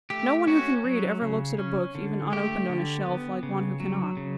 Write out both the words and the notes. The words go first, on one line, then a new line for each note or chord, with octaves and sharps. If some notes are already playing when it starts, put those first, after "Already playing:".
No one who can read, ever looks at a book, even unopened on a shelf, like one who cannot.
A3 G4
C#4 F#4
F#3
C#3
C#4
D3
A3 G4
D3
B3
C#3
F#3
C#3